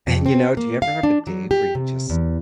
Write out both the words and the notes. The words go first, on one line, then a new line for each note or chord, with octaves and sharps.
And you know, do you ever have a day where you just
F2
C4
A#3
F5
D4
F#3
G4
C3
E2